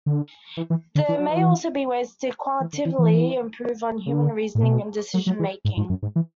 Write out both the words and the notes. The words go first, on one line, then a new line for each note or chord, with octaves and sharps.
There may also be ways to "qualitatively" improve on human reasoning and decision-making.
D3
E3
E3
D3
E3
F#3
E3
E3
D3
E3
E3
C#3
D3
A2
B2
F#3
F#3
E3
G#2
G#2
F#2
G#2
E3